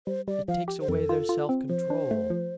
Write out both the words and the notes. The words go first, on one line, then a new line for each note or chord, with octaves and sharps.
It takes away their self-control.
G3 C5
G3 D5
F3 F5
G4
C5
F2 A4
F4
F4
C4
F3 C5
D4
A3
F3